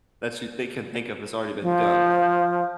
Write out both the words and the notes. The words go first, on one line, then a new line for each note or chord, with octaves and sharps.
that you think of think of has already been done.
F3